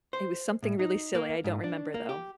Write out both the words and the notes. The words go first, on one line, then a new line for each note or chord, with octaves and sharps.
It was something really silly, I don't remember, though.
C5
A2
D#4
A#3
G#2
D4
A#3
G4